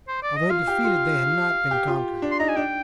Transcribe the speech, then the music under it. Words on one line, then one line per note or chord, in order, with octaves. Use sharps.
Although defeated they had not been conquered.
C5
D5
D#5
F4 F5
G4
F4
G4
F4
D4
C6
D#4 A#5
G#5
D4 G5